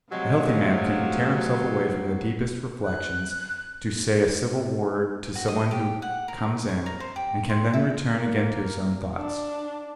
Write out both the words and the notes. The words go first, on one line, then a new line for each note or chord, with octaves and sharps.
A healthy man can tear himself away from the deepest reflections to say a civil word to someone who comes in and can then return again to his own thoughts.
C3 F3 F#3 G#3 A3
F#6
F#4
D#5
G4
F#5
A#4
C#6
A#4
C5
G4
C6
E5
A#3
D4